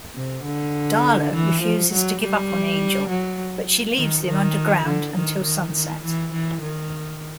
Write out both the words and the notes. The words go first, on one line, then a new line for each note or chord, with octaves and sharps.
Darla refuses to give up on Angel, but she leaves him underground until sunset.
C3
D3
E3
F3
F#3
G3
F#3
D#3
D#3
D3
D#3
D#3
D#3
E3
E3
D#3